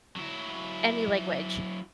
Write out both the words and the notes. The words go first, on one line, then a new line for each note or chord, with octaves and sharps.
any language,
F#3 E4